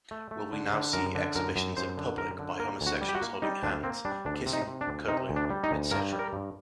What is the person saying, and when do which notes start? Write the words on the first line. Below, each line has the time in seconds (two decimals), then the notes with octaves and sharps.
Will we now see exhibitions in public by homosexuals holding hands, kissing, cuddling, etc?
0.11 A3
0.31 A3
0.53 D3
0.73 D3
0.93 F#2 A#4
1.15 D3
1.35 F#2 A#4
1.56 F#2
1.77 F#2 C5
1.98 D3
2.18 F#2 A#4
2.39 D3
2.59 A#3 A#4
2.81 D2
2.87 F#4
3.01 G3
3.09 G4
3.15 F#4
3.22 A#3
3.42 G3 D#4
3.63 D2 D4
3.84 A#3 C4
4.05 G3 D4
4.25 D2 D4
4.46 C3
4.53 D#4
4.67 C3
4.81 D4
4.87 D2
5.08 C3 D#4
5.29 D2
5.36 D4
5.50 G3
5.64 D#4
5.71 D2
5.91 G2 A#4
6.13 G3
6.19 A#4
6.33 G2